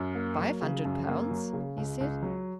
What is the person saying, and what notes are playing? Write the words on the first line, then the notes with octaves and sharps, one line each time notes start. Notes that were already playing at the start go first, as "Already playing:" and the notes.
"Five hundred pounds," he said.
Already playing: F#2
A#3
F#3
C#3
F#2
A#3
F#3
C#3
C#2
C#2
F#3